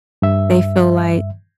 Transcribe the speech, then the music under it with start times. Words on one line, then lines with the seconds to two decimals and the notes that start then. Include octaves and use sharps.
they feel like
0.22 G2 E5